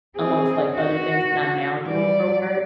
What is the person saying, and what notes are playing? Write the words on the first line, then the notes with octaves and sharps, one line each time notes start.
amongst, like, other things that I'm now doing for work.
C4 G#4
F#4
G3 D5